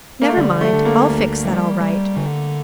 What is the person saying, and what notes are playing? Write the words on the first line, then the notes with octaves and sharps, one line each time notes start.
Never mind, I'll fix that all right.
A#3
A3
D3 G3
A3
D3
A#3
D2
G3
G3
D3